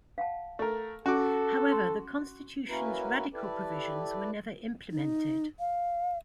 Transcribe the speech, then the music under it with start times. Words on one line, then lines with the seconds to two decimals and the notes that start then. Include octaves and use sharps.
However, the Constitution's radical provisions were never implemented.
0.18 F5 F#5 A5
0.59 A3 A#4
1.06 C#4 F#4 A4 D6
1.72 C6
2.67 A#3 C#4 E4 F#4 A#4 B4
3.33 E4 G4 A4 B4 D5
4.91 D#4
5.60 F5